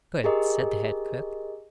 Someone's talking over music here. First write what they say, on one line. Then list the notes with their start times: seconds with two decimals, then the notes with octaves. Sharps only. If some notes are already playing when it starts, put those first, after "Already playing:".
'Good,' said the head cook.
0.24 G4 G#4 A#4 D#5